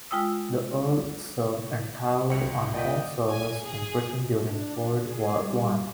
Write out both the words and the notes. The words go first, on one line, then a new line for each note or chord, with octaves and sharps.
The Earl served entirely on home service in Britain during World War One.
G#3 F4 G5 D#6 E6
C2 F#4 G5 C#7
A#2 D5 D#5 F#5 G5 B6
G#5
G#4
D4
G#4
G3